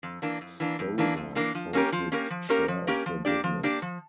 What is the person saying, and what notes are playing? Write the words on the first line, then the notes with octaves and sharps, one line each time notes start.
Stover sold his share of the business.
F2
E3 A#3 D4
F2
E3 A#3 D4
F2
E3 A#3 D4
F2
E3 A#3 D4
F3
A#3 C#4 G4 A#4
F3
A#3 C#4 G4 A#4
F3
A#3 C#4 G4 A#4
F3
A#3 C#4 G4 A#4
F3
A#3 D4 G4 D5
F3
A#3 D4 G4 D5
F3